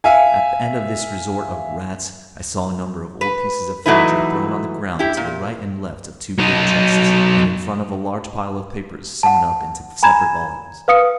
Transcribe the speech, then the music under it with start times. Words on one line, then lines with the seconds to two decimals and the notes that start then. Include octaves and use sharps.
At the end of this resort of rats, I saw a number of old pieces of furniture thrown on the ground to the right and left of two great chests, and in front of a large pile of papers sewn up into separate volumes.
0.04 E5 F5 G#5
3.21 B4
3.86 E3 F#3 A3 D#4 E4 B4
4.99 E4 G4
5.17 A#2
6.38 F#3 D#4
9.23 F#5 A5
10.03 G#5 A#5 B5 G#6 E7
10.88 B4 F5 D#6 C#7